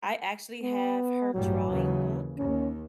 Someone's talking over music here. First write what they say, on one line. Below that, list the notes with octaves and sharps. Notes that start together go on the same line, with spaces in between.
I actually have her drawing book.
B3
A1 G2 F#3 G3
D#2 C#3 E3
D#2 C#4